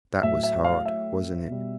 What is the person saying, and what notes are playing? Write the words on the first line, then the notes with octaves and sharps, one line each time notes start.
That was hard, wasn't it?
A2 F#3 E5
E5
F5
E5
B2 G3